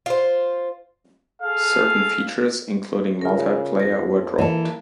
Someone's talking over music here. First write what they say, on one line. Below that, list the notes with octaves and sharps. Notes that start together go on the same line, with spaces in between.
Certain features, including multiplayer, were dropped.
F4 C5
G#4 A4 F5
C#3 F4 A#4
F2 A#6
E3 A#3 A4